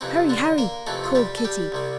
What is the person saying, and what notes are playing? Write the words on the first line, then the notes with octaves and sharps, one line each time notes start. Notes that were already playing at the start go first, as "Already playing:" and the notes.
"Hurry, hurry!" called Kitty.
F2 C3 E3 C4
D3 D4
A#3 A#4
F2 C3 E3 A3 A4
F4
G3 G4
A4
G3 G4
C2 C3 G3